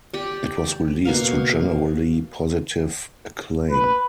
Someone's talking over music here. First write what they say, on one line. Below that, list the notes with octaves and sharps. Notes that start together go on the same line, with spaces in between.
It was released to generally positive acclaim.
G4 D5
B2 A#3 F5
B4